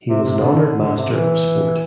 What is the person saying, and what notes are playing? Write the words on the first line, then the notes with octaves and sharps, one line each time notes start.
He was an Honoured Master of Sport.
C3
C3
D3
D3
C3
E3